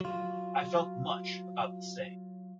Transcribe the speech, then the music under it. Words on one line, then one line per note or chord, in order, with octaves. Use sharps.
I felt much about the same.
F#3 F4